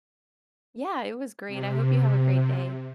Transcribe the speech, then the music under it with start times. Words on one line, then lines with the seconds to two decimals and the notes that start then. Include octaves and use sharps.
Yeah, it was great. I hope you have a great day.
1.48 C3